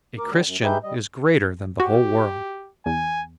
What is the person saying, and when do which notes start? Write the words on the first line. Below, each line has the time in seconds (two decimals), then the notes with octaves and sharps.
A Christian is greater than the whole world.
0.18 D2 A#4 D6
0.31 D3 F#3 G3
0.46 F#2
0.63 D#4 G4 G#4 B4 E5 G6
0.83 G3 D#5
1.80 F#4 G4
2.86 E2 G#5